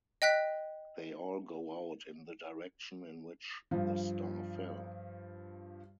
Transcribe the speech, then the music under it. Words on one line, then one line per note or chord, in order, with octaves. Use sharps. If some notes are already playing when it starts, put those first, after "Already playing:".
They all go out in the direction in which the star fell.
D#5 G5 F#6 B6
G2 F3